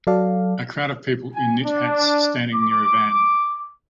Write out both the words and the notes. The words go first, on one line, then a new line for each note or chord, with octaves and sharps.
A crowd of people in knit hats standing near a van.
F#3 A4 D5 F5
G#5
D4
D6